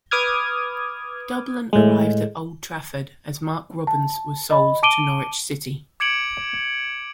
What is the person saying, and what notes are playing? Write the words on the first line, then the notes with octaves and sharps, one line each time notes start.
Dublin arrived at Old Trafford as Mark Robins was sold to Norwich City.
B4 D6 D#6 F6 G#6
A2 G#3
A5
D#5 B5
A5 D6 D7 D#7 G7
D6 G#6 C#7 D7 F#7